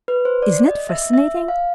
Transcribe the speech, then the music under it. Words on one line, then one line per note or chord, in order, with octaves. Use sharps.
Isn't it fascinating?
B4
C5
D5
D#5
E5
E5
F5